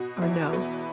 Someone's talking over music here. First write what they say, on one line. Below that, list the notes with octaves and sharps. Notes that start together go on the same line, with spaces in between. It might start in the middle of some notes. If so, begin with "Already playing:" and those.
or no?
Already playing: B2 F#4
E2 E4
B3 F#4